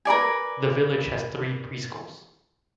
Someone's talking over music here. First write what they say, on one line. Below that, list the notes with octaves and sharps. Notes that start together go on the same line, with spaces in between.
The village has three Preschools.
A#4 B4 D5 G#5